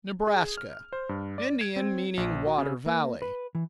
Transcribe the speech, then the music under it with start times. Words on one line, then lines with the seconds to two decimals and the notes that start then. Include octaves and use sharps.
Nebraska--Indian; meaning "water valley."
0.27 G#4
0.57 F6
0.93 C5
1.09 G2
1.38 D5
1.61 G#6
1.76 C4
2.17 A#1
2.46 F#4
2.58 C#3
2.86 A#3
3.22 B4
3.55 E3